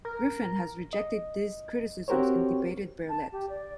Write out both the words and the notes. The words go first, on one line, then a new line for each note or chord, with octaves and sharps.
Griffin has rejected these criticisms and debated Berlet.
A#4
D#5
C4 F#4 G4 A#4 C5 C#5
A5
G4
D5